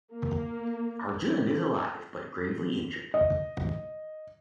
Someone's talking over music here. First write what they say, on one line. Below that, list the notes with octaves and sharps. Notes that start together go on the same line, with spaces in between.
Arjun is alive but gravely injured.
A#3
D#5